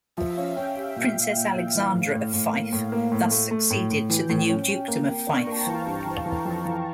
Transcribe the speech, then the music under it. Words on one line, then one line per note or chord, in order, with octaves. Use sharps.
Princess Alexandra of Fife thus succeeded to the new Dukedom of Fife.
F3 E5
C#4 F5
C#4 G5
G4 E5
A#2 F5
A#2
A#2
A#2
E3
A2
A2
A2
A#3
A2
A#3
A2
A3
A3
A2
A2
E3 G5
A2
C#4
C#4
A#3
A#3
D4
C#6
A#5
A#3 A5
G5
E3 F5
G2
E3
E3
F2
E3